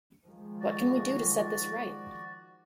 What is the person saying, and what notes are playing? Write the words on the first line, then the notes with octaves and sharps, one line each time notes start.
What can we do to set this right?
D#3 F3 G#3
F#4 D5